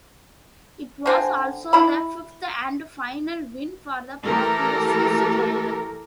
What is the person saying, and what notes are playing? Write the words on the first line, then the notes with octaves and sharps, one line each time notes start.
It was also the fifth and final win for the popular Swiss driver.
D3 C4 G#5
E4 B5
E3 A3 G4 A4 A#4